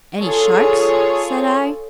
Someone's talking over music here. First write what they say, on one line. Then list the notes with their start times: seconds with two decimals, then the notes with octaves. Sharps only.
"Any sharks?" said I.
0.19 F4 G#4 A4 C#5